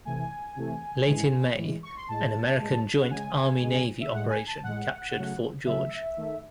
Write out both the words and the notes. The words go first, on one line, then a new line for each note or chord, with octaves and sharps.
Late in May, an American joint Army-Navy operation captured Fort George.
C3 E3 A3 G#5
C3 E3 A3
A2 E3 G#3
A2 E3 G#3
C#6
C6
A2 G#3 A5
A2 G#3
F#5
C#3 G#3 G#5
C#3 G#3
E5
A2 G#3 F#5
G#5
A5
A2 G#3 F#5
C#3 F#3 A3
C#3 F#3 A3 E5
D#3 A3